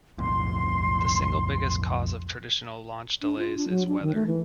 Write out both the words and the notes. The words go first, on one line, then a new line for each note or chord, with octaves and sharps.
The single biggest cause of traditional launch delays is weather.
B1 F2 A2 C6
D4
F4
D4
F#3
D4
D#3
A3
E3